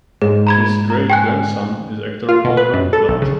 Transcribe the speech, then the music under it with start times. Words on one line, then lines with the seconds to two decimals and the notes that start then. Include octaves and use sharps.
His great-grandson is actor Oliver Platt.
0.22 G#2 G#4
0.47 A#5 B5 G#6
0.90 A#5
1.10 G5 G#5 F#6
2.29 F4
2.44 B2
2.57 B4
2.73 F#2
2.93 A4
3.08 B1
3.22 C#3